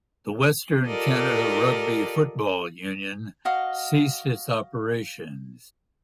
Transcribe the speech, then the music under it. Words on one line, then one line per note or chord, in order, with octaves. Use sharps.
The Western Canada Rugby Football Union ceased its operations.
F4 G4 A4 A#4 D5 D#5
F#4 D#5 F5